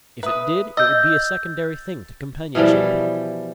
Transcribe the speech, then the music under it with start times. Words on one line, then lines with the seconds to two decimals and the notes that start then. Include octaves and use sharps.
If it did it would be a secondary thing to companionship.
0.23 B4 E5 D#6
0.77 D#5 E6 G6 A6
2.55 B2 E3 F3 G3